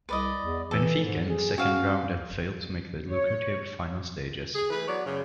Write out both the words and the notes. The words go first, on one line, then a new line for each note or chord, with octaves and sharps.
Benfica in the second round and failed to make the lucrative final stages.
C2 B4 D5 D#5
E2
E3 A4
G#2
G#4
C#4 F#4 F5
C#5
G#4
E3 A3 B4
F#3 B3 C#5 D5
F#2 C#3